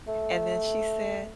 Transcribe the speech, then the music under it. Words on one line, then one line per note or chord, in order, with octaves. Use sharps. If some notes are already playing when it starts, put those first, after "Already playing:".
and then she said,
A3